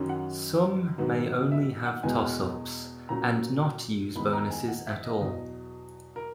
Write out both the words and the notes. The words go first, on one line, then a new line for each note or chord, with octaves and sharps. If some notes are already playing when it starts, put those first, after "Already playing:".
Some may only have toss-ups and not use bonuses at all.
Already playing: F#2 D#3 F#3 C#4
F#5
G#2 D#3 F#3 B3
E5
F#5
E2 B2 G#3 B3 G#5
A#2 F#3 C#4 A#5
E2 D#3 G#3 B5
A#5
G#5
F#5
E5
D#5
E2 B2 F#3 D#5
A#4